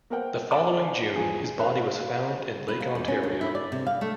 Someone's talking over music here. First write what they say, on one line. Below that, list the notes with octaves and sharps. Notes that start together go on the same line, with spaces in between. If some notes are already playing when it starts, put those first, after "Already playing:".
The following June, his body was found in Lake Ontario.
A#3 B3 A#4 C5 F#5 G5
C#5 D5 F#5 G#5 A5 D6
E2 F3 G#4
A#1
A#4 C5 C#5 F5 B5 F#6
B4
A#3
E2
C#4
D2
E4
D5
C3
F5
A3